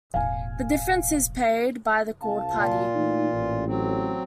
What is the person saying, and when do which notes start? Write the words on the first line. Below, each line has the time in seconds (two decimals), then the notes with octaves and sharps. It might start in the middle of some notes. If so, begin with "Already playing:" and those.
The difference is paid by the called party.
0.14 E1 A1 F5 G#5
2.21 C2 F5 A5
2.54 A#2 F4
2.95 E3 A3 D#4
3.32 A1
3.66 F#3 C4